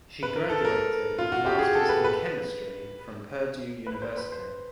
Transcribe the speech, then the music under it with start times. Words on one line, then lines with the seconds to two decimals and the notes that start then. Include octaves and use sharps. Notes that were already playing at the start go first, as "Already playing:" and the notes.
She graduated with Masters in Chemistry from Purdue University.
0.23 B4
0.36 A#4
0.50 A4
0.65 A#4
1.19 F4
1.32 F#4
1.46 G4
1.59 G#4
1.75 A4
1.89 B4
2.04 B4
3.87 B4
4.02 C5
4.17 B4
4.32 C5